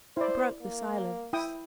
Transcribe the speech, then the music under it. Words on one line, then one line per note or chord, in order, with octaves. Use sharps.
She broke the silence.
E4 C5 D5
A#3
E4 G5 D#6